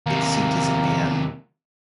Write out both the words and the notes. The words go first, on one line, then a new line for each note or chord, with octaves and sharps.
Its seat is in Vienne.
D#2 C3 A#3